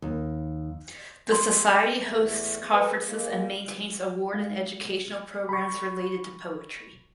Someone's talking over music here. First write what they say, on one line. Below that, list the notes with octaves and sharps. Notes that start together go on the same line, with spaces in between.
The society hosts conferences and maintains award and educational programs related to poetry.
D#2
C6
E2 A3
A4 B4 C5
G#3 A#3
G#3
B5 C#6